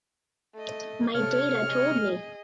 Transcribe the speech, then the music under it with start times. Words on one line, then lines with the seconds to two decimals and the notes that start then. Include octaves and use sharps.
My data told me.
0.54 A3 D#5
1.15 C3 A3 A4 C#5 F6
1.67 G#4 D#5